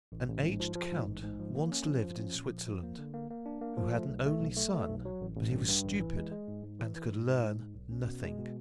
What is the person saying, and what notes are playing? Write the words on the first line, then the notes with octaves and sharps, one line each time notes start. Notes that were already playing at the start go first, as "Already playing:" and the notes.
An aged count once lived in Switzerland, who had an only son, but he was stupid, and could learn nothing.
A1
A1
G#2
F3
F3
G#2
A1
G#2
F3
A#3
C#4
F3
F3
C#4
A#2
F3
F3
A#3
D3
A#3
A#3
D4
A#3
F3
A3
B1
A3
B1
A3
A3
B1
F#3
A1
A1
G2
G2
A1
E3
G#3
G#3
G#2
G#2
E3
E3
G#2
G#2
G#2
G#2
B1
C#4
B2
G#3
B2